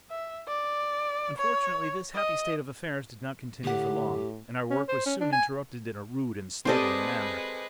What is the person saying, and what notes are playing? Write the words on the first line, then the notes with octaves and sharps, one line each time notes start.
Unfortunately this happy state of affairs did not continue for long, and our work was soon interrupted in a rude and startling manner.
E5
D5
C#5
D#5
D2 A2 G4 F#5
C#4
C5
C#4
D4
G#5
G#3 C4 G4 A4 B4 C5 D5 D#5